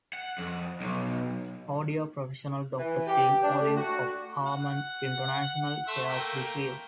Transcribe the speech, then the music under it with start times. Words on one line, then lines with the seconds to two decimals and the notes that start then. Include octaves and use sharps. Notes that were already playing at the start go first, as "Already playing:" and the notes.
Audio professional Doctor Sean Olive of Harman International shares this view.
0.13 F#5
0.38 F2
0.81 B1
2.79 E3
3.07 G4
3.43 D4
3.61 A3
3.77 F#4
4.46 F#5
5.88 A3 E5 C6
6.09 A3 A#3 G5